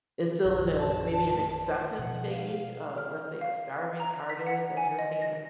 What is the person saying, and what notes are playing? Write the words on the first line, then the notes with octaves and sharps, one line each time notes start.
it's still in a maybe an acceptance stage of, let's say, a starving artist, as you were saying, uh,
A#1 F#2 D3
A5
A3
C5
B2 F3 G#3 F#5
F5
F6
F5
A#5
B6
F#5
G#5
D#5
A#6